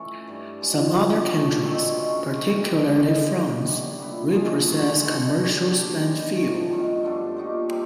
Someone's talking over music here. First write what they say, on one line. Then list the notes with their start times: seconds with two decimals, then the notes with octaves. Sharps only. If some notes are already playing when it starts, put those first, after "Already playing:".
Some other countries, particularly France, reprocess commercial spent fuel.
Already playing: E3 A3 C#4
0.27 G2 E3 G3
0.61 F3 G#3 C#4 F4
0.94 D3 F#3 A#3
1.28 D3 F3 A3 C#4
1.62 D#3 F#3 A3 C4
1.95 F#2 C#3 E3 G#3
2.29 E3 A3 C4
2.64 B2 G3 B3
2.97 G#2 E3 G#3
3.32 D#3 G3 A#3 C#4
3.64 F#2 D3 G3 B3
3.99 A#2 G3 B3 E4
4.32 F3 A#3 D#4 G#4
4.66 C#3 F#3 A3
5.00 G#3 C#4 F#4 A4
5.34 G2 D3 G3 B3
5.67 G3 A#3 D4 G4
6.02 G#3 B3 E4
6.35 A2 F3 A3
6.69 F#2 D#3 G3
7.03 G2 D3 F3 A3
7.37 F3 A#3 D#4 G4
7.70 C3 G3 C4